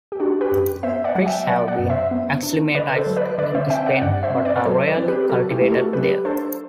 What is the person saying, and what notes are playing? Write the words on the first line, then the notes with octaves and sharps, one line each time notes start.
Trees have been acclimatized in Spain but are rarely cultivated there.
G4
D4 F#4
G4 B4
F#2
B3 C5 E5
D5 F#5
F#3
E5 G5
F#3 D5 F#5
D5 F#5
F#2
C5 E5
B3
D4
D3 B4 D5
A4 C5
F#3
B4 D5
D3 B4 D5
C5 E5
C4 E5 G5
D5 F#5
G2 D5 F#5
C5 E5
C4
B4 D5
F#3 A4 C5
B4 D5
C4
G4 B4
F#3 F#4 A4
E4 G4
A3
F#4 A4
F#3 G4 B4
D4 A4 C5